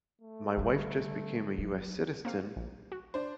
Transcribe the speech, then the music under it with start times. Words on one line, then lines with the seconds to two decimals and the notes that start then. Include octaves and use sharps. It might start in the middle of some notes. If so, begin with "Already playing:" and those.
My wife just became a US citizen,
0.22 A3
0.57 D3 G3
1.58 F#3
2.25 A#3 C4 F5
2.56 A#1
2.92 F#4
3.14 D4 C5